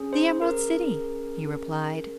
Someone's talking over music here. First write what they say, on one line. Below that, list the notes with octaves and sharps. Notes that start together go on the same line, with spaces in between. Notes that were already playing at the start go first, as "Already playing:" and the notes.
"The Emerald City," he replied.
Already playing: C#4 G#4
C5
A#4